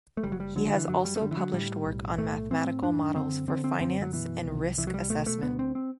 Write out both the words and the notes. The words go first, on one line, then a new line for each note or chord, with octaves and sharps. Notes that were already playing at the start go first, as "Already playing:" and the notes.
He has also published work on mathematical models for finance and risk assessment.
A3
F#1 G3
F#3
G3
D3 F#3
E3
F#2 F#3
G3
A3
D3 G3
E3
F#3
A2 G3
B1
A2 A3
A2 C4
F#2 D4
D3 C4
D3 C4
C4
F#2 C4
F#3
B2 E3
C2
C2 E3
F#3
G3
B2 A3
A3
D2 B3
C4
C4